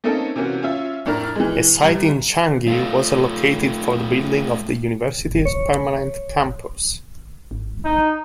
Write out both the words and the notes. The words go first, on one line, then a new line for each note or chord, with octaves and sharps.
A site in Changi was allocated for the building of the university's permanent campus.
A3 A#3 C4 C#4 D#4 A4
C3 E3 A#3 C#4 F#4
C#4 F4 E5
F2 A2 D4 A#4 A#5 F6
E3 G#3
C2 G3 A#5
A3 F4
C#5
G#1
D#4